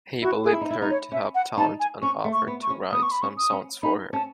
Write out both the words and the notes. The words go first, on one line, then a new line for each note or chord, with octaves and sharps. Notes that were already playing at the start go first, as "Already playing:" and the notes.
Hay believed her to have talent and offered to write some songs for her.
E4 F#4
G#4
E4
D#4
E4
D#4
C#5
C#4 E5
F#5
D#4 A5
G#5
C#4 C#6
A3
C#6
B3
C#6
C#4
B3 D#6
C#6
B5
C#4 C#6
D#6
C#4
D#4 B5
C#4 A5